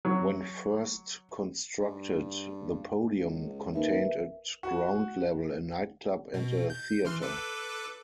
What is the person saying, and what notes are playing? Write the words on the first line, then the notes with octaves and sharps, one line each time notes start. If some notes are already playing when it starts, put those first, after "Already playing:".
When first constructed, the Podium contained at ground level a nightclub and a theatre.
F#3
G2
C#2
D#2 A#4 B4 E5
F#4
B2
G6
E3 C6 F6
A4 B4 D6